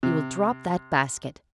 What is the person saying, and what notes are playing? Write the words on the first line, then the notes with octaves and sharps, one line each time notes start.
'You will drop that basket!
C3